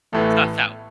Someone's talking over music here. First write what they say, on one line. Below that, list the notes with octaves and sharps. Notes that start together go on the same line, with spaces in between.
Stuff out.
A1 A2 E3 A3 B3